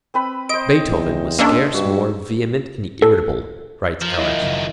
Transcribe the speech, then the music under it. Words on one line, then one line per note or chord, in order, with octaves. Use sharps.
"Beethoven was scarce more vehement and irritable," writes Ehlert.
C4 B4 B5
C5 D#5 D7
E2
G#3 A#3 C#4 D4 E5 F5
G2 F#4
A4
F3 A#4
F2 D#3 E4 D#5 F5
F#1